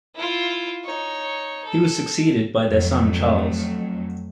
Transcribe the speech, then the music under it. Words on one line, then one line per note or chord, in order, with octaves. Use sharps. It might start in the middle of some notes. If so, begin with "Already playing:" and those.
He was succeeded by their son Charles.
E4 F4
D#4 C#5
A4
F2 F#3 A3